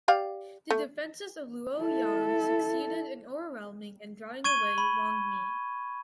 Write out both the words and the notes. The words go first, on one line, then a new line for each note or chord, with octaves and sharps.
The defences of Luoyang succeeded in overwhelming and driving away Wang Mi.
G4 D5 F5
A3
E4 A4
C#6 G#6 D#7 G7
B5